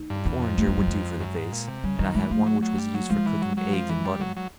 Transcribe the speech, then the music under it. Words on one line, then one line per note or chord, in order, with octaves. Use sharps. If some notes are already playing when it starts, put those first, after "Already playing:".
A porringer would do for the vase, and I had one which was used for cooking eggs in butter.
Already playing: D#4
G2
E2 D4
F2
A3
G#3
G3
G#3
F#2
G#2
A#2
C3
C#3 G3
D#3 G3
E3 G#3
F3 A3
F#3
F#3
G3
F#3
F3 G#3
E3
F#3
F#3
F3
E3
G3
F#3
F#3